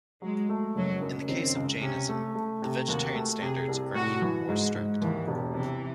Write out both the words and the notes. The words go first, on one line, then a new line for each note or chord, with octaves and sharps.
In the case of Jainism, the vegetarian standards are even more strict.
F#3 G#3
A3
F#1 F#3
F#2
D#3 C4
C#2
C3 C#4
A3
A3
C3
D#2 F#4
A3
C3 G#4
C2
A2 F#4
E3
G#2 G#3
G#2
D#2 E3
E1
C3 E3